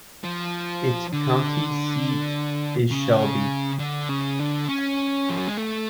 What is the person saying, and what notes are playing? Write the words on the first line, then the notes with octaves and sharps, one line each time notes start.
Its county seat is Shelby.
F3
D3
C#3
D3
C#3
D3
C#4
F3
F#3
G#3
A3